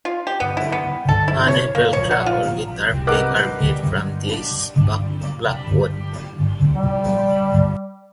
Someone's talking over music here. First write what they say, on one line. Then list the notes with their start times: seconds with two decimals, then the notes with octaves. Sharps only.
Many plectra, or guitar picks, are made from this black wood.
0.05 F4
0.27 G4
0.40 B3
0.57 E4
0.72 B3
1.09 A4
1.28 E4
1.48 C#5
1.75 A#3
1.93 C#5
2.11 F#5
2.26 F4
3.07 A#4 B4 D#5 F#5 D6 F#6
6.75 G3